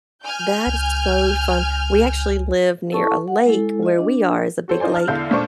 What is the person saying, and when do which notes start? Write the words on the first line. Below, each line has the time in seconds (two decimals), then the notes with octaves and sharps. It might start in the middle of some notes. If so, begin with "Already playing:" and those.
That is so fun, we actually live near a lake where we are is a big lake,
0.24 G#5 F6 G6
0.67 C#2
2.92 E4 A4 A5 C#6
3.28 F#5
3.46 G#3 E4 A4
3.83 F4 D#5
3.99 D4
4.68 F#4 A4 C5 C#5
4.80 D#4 F4 C5 D5 G#5
4.92 A5 F6
5.08 E2 D3 E4 E5 F5 G6
5.31 A#2 A3 D4 C5 C#6